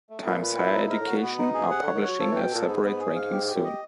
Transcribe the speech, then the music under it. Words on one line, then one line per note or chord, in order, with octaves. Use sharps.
Times Higher Education are publishing a separate ranking soon.
A3
A#2 B4
B4
E4
D#4
G#2 A#4
A2
F#4
A#2
B2 B3
D#4
G#4
B2
C3 F#5
D3 C#5
D#3
F#3 C#5
F3 A4
E3 G5
B2
A#2 A4
G#2 B3
B3
G#4
F5
G4
G4
F#2
D#5